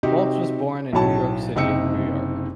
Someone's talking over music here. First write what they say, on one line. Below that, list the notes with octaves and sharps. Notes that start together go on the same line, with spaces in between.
Baltz was born in New York City, New York.
C3 C4 D#4 F#4 G4
B1 A2 F#3 C#5 A5
F#1 C3 D#4 G5 E6 C#7